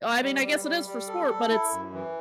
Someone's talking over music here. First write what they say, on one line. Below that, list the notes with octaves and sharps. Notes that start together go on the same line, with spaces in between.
I mean, I guess it is for sport, but it's
G3
G3
G3
G3
A4
A4
E4
F#2
E3